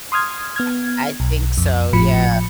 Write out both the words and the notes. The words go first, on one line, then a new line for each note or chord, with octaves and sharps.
I I think so, yeah.
C6 D#6 F6 G#6
B3 F6 G#6
B1
F2
G#1 A2 F3 B5 C#7